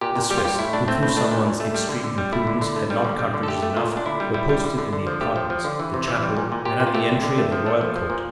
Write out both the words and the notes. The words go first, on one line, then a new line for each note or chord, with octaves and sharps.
The Swiss, who through some one's extreme imprudence had not cartridges enough, were posted in the apartments, the chapel, and at the entry of the Royal Court.
A#2 G4
A#2
G3 G4
F4
G3 G4
A2 E4
A3 D4
A3 C4
A2 C4
A3 D4
A#2
A#2
A3
G3
D3
D3
G3
A3 E4
D3
D3
A3
G3
D3
G3
D3
A4
A3 G4
A3
A#2 F4
A#2
D4
D3 E4
G3
G3 E4
G3
D3
D3
D3
F3
A3 G4
F3
F3
D3
E3
C3
E3
G3
A#2
A#2
A#2 G4
A#2
F4
A3 G4
D3
D3
A3
F3
A3
F3
F3
A#2